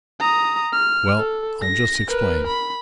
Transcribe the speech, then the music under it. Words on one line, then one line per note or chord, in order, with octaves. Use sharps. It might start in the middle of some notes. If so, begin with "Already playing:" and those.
Well, I'll just explain.
A#5 D#6
F6
A4
A#6
A#4 B4
B5